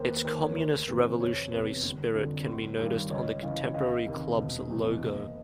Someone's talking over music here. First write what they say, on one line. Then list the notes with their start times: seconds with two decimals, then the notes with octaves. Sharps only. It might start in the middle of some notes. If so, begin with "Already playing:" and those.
Its communist revolutionary spirit can be noticed on the contemporary club's logo.
Already playing: D#2 A#4 C5
0.09 B4
0.24 D#3 A#4 C5
0.40 B4 C#5
0.56 D2 A#4 C5
0.88 C3 E3 B4
1.19 F1 B4 C#5
1.51 E2 C3 B4 C#5
1.83 G1
2.15 F2 D3
2.47 G1
2.79 G2 D#3
3.10 C#2 C#5 D#5
3.42 C#3 E3 D#5 F5
3.74 C#2 D#5 F5
4.07 C3 D#3
4.37 E1
4.70 E2 C3 E3
5.02 F#1